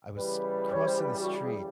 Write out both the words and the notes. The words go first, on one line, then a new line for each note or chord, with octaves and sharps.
I was crossing the street
C#3 E3 G3 B4
C#5
C5
B4
F#4
G#4